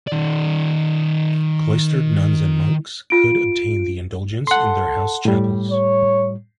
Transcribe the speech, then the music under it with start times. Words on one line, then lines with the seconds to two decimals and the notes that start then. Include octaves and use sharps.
Cloistered nuns and monks could obtain the indulgence in their house chapels.
0.07 D#3 D5
3.10 F4 D7
4.47 A4 F#5 C6
5.25 A2 G3
5.71 C#5